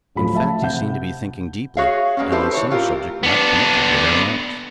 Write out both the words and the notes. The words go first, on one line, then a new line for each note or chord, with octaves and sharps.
In fact he seemed to be thinking deeply, and on some subject not connected with aeronautics.
A1 D2 F3 F#3 A4 B5
E5 F5 A5
C3 F#5 G6
F#4 G#4 C#5 E5 F5
G3 G#3 A#3 B3 C#4
E4 G4 A4 B4 C5 E5
E3 C#5
A2 F4 G4 A#4
B3 D4